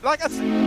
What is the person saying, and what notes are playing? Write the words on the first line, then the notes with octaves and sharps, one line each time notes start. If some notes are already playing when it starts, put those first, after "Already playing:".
like I s
A3 C4 D#4 F#4